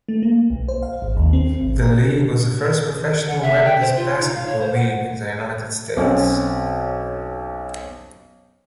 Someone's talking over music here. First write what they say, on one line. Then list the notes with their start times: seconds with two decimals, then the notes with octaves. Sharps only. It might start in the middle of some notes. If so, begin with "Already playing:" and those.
The league was the first professional women's basketball league in the United States.
0.09 A3
0.23 A#3
0.50 B1
0.68 C5
0.83 F5
1.02 G#1
1.17 D#2
1.33 C4
1.61 G#1
1.82 A#4
3.27 F#5
3.42 E5
3.65 G5
3.80 C5
3.96 F4
4.20 D#4
4.34 F5
4.46 C#5
4.60 C5
4.74 F#5
5.97 B1 C4 C#4